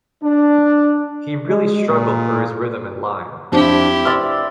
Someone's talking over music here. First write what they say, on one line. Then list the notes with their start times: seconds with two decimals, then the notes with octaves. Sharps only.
He really struggled for his rhythm and line.
0.23 D4
1.48 G#3
1.87 A#2
3.52 F2 F3 D4 E4 G4
4.05 D5 E5 C6 F6